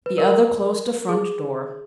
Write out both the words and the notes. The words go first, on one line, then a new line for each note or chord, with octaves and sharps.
The other closed the front door.
B4
A#4
G#4